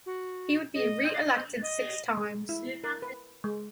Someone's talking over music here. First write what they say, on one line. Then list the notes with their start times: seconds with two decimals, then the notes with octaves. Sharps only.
He would be re-elected six times.
0.06 F#4
0.75 D#5
1.62 D#5
2.17 G#3
2.49 E4
2.84 A#4
3.02 B4
3.44 G#3